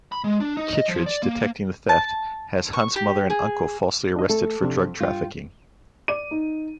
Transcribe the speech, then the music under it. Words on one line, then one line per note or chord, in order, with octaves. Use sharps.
Kittridge, detecting the theft, has Hunt's mother and uncle falsely arrested for drug trafficking.
B5
G#3
D4
D#4
D#5
F3
D5
A#3
A5
C#6
G4
G#4
D4 D#5
A3 A4
F2 C3 D4
G2 F4 G5
D5 D6 D#7
D#4